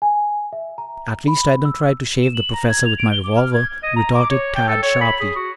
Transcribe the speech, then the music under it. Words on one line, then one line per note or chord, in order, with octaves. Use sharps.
"At least I don't try to shave the professor with my revolver," retorted Tad sharply.
G#5
E5
A#5
B5
E6
E7
F#7
A#5
G#6
F7
D7
G7
D6
F6
G#6
D#5
A#5
D6
C#5
G5
A4
C#5
B5
G#4
F#4